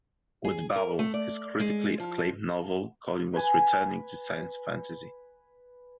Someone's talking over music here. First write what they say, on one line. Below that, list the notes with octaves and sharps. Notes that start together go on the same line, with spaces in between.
With "Babel", his critically acclaimed novel, Colin was returning to science fantasy.
G#4
A#4
A3
D5
G#3
F3
B4 G#5